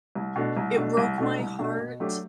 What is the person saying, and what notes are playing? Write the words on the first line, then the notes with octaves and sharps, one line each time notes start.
it broke my heart
C2
B2 A3 D4
C2
B2 A3 D4
C2
B2 A3 D4
C2
B2 A3 D4
B2
F#3 A3 D4 G4